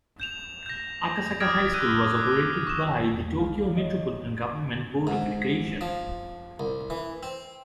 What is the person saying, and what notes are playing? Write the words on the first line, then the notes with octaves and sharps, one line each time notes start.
Akasaka High School was operated by the Tokyo Metropolitan Government Board of Education.
G6 E7 F7
G6 A#6
D6 D#6 F6 G#6 A#6 D7
E6 F#6 G6 D#7
D6
C#6 E7
E2
C2 G#3 F5
C#5 D#5
G#2
F3
C2
E3
C4